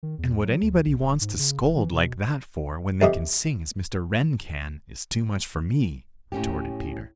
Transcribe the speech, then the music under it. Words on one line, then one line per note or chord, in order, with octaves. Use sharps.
"And what anybody wants to scold like that for when they can sing as Mr. Wren can, is too much for me," retorted Peter.
D#3
E2
F#3
D2
A#1
D1
G#2
C#3
E1
E3
B2
F2 C3 D#5
A2 C#4 G4